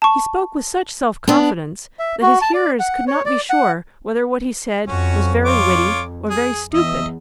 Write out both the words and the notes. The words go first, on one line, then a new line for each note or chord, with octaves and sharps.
He spoke with such self-confidence that his hearers could not be sure whether what he said was very witty or very stupid.
A5 C#6
B3 D4
E5
F#4
A5
D5
F#5
C#5
D5
F#5
F2 C#4 F#4
F4 C#5 D6
G#4
E2 D#5 E5